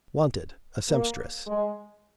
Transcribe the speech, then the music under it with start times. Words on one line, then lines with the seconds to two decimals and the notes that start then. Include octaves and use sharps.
Wanted, a Sempstress!
0.89 A#3
1.47 G#3